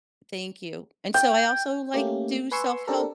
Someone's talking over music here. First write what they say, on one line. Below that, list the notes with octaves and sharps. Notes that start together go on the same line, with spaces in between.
thank you, and so I also, like, do self-help
G5
A3 A#3 C#4 G4
B4 G#5 C6 C#6 E6
C4 D4 G4 A4 A#4